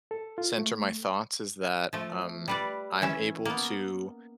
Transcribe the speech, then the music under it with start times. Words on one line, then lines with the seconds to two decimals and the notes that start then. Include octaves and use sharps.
center my thoughts is that, um, I'm able to
0.11 A4
0.38 F4
0.58 A3
1.93 F3 A3
2.48 G3 B4 D5
3.02 E3 C#4 E5
3.45 A#3 B3